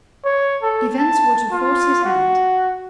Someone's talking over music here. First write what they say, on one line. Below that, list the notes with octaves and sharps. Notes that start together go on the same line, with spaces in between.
Events were to force his hand.
C#5
A4
A5
F4
F#4